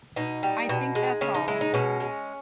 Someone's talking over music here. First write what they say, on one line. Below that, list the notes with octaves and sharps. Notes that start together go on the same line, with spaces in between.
I think that’s all.
B2 D#4
G3
B2
G#3
C#3 C#4
D#4
G#3 E4
D#4
B2 C#4
G#3